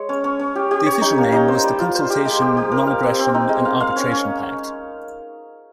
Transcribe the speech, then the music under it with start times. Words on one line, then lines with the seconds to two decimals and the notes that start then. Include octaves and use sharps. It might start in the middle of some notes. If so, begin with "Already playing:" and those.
The official name was the Consultation, Non-Aggression and Arbitration Pact.
Already playing: G#3 C#5
0.09 C#4
0.24 C#4
0.39 C#4
0.56 G4
0.71 G4
0.86 C#5
1.01 D#4
1.18 A#3
1.32 D#4
1.48 C5
1.64 G3
1.80 F4
1.95 C5
2.10 G4
2.25 G#3
2.41 G4
2.57 G4
2.72 A#4
2.87 F5
3.03 C4
3.19 C4
3.34 D#4
3.49 G#3
3.65 F5
3.80 F5
3.96 C#4
4.11 C#4